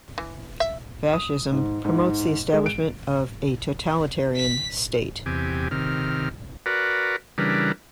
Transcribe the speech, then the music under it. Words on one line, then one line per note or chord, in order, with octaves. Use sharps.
Fascism promotes the establishment of a totalitarian state.
E3
E5
D#6
G#2
G#2
G#3
D7
B6
E2 C3 G4 G#5
C3 D#3 F6
F#4 A#4 B4 D5
C#3 E3 G3 D4 A#4 B4